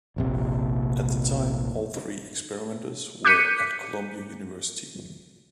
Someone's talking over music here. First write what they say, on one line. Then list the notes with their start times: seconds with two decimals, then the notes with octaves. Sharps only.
At the time, all three experimenters were at Columbia University.
0.16 F1 A#1 C3
3.25 D6 F#6 G6 B6 C#7 D#7